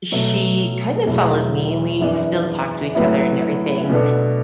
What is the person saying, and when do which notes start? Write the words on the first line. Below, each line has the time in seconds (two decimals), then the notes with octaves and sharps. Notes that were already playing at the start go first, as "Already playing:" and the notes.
she kind of followed me, and we still talk to each other and everything,
0.12 B2 F#3 A3
1.06 E2 B2 F#3 A3 E4
2.01 F#2 E3 B3 D4
2.95 A2 F#3 B3 E4
3.90 B2 B3 D4 A4